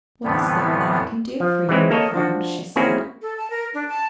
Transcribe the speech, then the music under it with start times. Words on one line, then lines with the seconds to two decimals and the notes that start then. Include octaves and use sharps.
"What is there that I can do for you, my friend?" she said.
0.24 F2 A2 D3 E3 G3 B3
1.40 F3
1.69 E3 F#3 G#3 C4 E4
1.91 A#3 A4 C#5 D#5
2.14 F3 D4 F#4
2.76 A#3 C4 C#4 E4 F#4 G#4
3.22 A4
3.37 A5
3.50 A#4
3.74 D4
3.89 A5